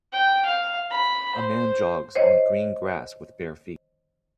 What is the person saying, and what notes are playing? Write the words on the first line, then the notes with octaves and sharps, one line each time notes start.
A man jogs on green grass with bare feet.
G5
F5
B5
C5
C5 C#5 D#5